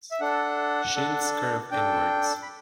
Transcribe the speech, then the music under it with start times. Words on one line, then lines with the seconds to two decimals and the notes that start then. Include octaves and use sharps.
Shins curve inwards.
0.11 E5
0.20 D4 A4 F#5
0.96 D4 A4
1.71 D4 A4 G5
2.43 B5